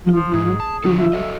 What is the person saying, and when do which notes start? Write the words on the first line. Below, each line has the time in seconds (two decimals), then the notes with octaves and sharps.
Mhm. Mhm.
0.14 F3
0.33 G#2 G#4
0.60 A5
0.84 D3 F#3 A4
0.98 E5
1.13 F#4 A4 D#5